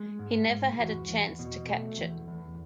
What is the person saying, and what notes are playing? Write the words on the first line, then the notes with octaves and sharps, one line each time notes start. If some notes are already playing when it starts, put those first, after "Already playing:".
He never had a chance to catch it.
Already playing: G#3
G#2
G#2
E2 F#4
E2
B2
A3
E2
E2